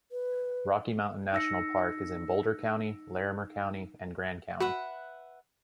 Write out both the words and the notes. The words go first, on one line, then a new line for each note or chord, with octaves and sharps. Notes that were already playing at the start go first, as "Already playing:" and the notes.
Rocky Mountain National Park is in Boulder County, Larimer County, and Grand County.
B4
D#4 E6 A#6 C#7
F#4 B4 E5 F#5